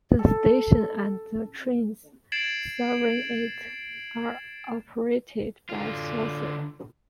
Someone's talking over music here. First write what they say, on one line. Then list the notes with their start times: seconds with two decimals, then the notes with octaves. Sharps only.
The station and the trains serving it are operated by Southern.
0.19 A4
2.32 G#6 A6 C7 D7 E7 F#7
5.70 D3 F4